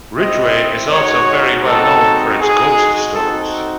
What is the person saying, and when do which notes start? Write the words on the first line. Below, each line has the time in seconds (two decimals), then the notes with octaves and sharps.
Ridgeway is also very well known for its ghost stories.
0.18 C4 E4 D#5
0.92 G#3 D#4 F#4 C#5
1.67 G#3 C4 D#4 F#4 A4
2.40 G#3 D#4 F#4 G#4
3.15 C4 D#4 F#4 A4